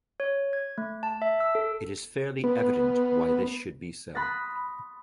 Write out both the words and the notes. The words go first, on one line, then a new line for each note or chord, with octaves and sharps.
It is fairly evident why this should be so.
C#5
G#6
A3
A5
E5
E6
A4
B3
B5 C6 D#6 F#6 A6 A#6